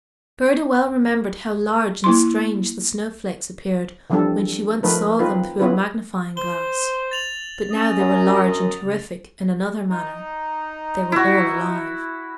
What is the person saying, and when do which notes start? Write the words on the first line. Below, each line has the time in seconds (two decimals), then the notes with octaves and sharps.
Gerda well remembered how large and strange the snow-flakes appeared when she once saw them through a magnifying-glass; but now they were large and terrific in another manner--they were all alive.
2.04 A#3 E4 C6
4.10 E3 F3 G3 C4 D4 A4
4.83 F3 A3 D#4 A#4 B4
5.19 C4 D#4 F4 B4
5.60 B3 C#4 E4 F4 G#4 B4
6.37 C5 G7
7.11 A6 F7 F#7
7.71 C#4 D#5
7.99 F#2
8.81 C#3
9.89 D#4
11.12 E4 F#4